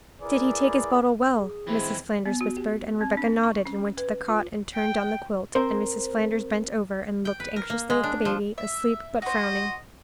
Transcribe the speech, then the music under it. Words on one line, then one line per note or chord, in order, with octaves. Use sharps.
"Did he take his bottle well?" Mrs. Flanders whispered, and Rebecca nodded and went to the cot and turned down the quilt, and Mrs. Flanders bent over and looked anxiously at the baby, asleep, but frowning.
E4 G#4 A#4 B4 D5
G#4
E3 G#3 C4 E4
B3
F#4
G4
C4
D4
C#6
C#4
B4
F4
G5
C4 A#4 C5
G5
B4
A#4
A#3
G#3
D4
F3
E5
F#4 C5 D#5